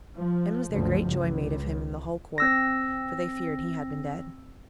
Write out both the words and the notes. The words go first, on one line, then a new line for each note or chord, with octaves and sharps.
Then was there great joy made of him in the whole court, for they feared he had been dead.
F3
F#1 D2 G2 F3
C#2
C4 E6 A#6